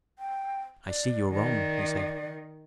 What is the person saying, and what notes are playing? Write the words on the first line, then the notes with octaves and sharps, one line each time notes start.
"I see you're on," he said.
G5
D5
D#3 D5